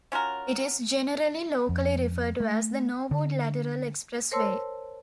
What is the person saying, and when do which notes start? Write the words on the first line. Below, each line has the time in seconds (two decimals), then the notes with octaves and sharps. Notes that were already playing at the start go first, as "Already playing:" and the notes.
It is generally locally referred to as the Norwood Lateral Expressway.
0.12 C#4 F4 F#4 A#4
1.69 F2
2.40 A3
3.11 D3
4.31 A#4 C5 C#5 A5 C6 E6